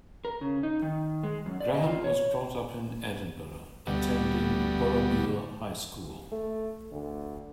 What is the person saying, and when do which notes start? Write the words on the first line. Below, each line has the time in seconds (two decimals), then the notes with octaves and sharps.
Grahame was brought up in Edinburgh, attending Boroughmuir High School.
0.25 A#4
0.41 C#3
0.63 D#4
0.82 D#3
1.23 G#3
1.46 F#2
1.61 D5
1.74 D#5
1.87 F4
2.04 C#5
3.87 D2 B2 G3
6.32 A3
6.91 D2